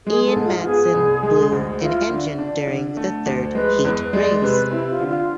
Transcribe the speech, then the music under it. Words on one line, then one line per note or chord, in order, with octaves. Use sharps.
Ian Madsen blew an engine during the third heat race.
G#3 G#4
A4
G#2
F4
B3 G#4
C2
G#3
D2
E4 F4
D3
D4
D3
A3
D2
G#3 B4
E2
G#3 D5
C3 B4
C4 E4
F4
D3
F4